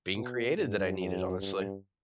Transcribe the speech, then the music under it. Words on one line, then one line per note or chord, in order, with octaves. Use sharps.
being created, that I needed, honestly.
B2
G2
F#2
G2